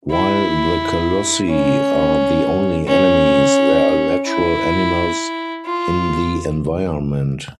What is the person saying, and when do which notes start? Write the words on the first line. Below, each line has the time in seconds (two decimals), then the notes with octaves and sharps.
While the colossi are the only enemies, there are natural animals in the environment.
0.11 E4
1.49 C#4
2.88 C#4
4.27 E4
5.65 F4